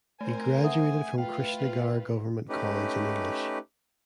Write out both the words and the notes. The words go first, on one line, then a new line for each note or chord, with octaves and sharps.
He graduated from Krishnagar Government College in English.
A3 C4 A#4 C5 G#5
E5 F#5 D#6
E4 F4 B4 F5 G5
A3 C#4 D#4 G4 B4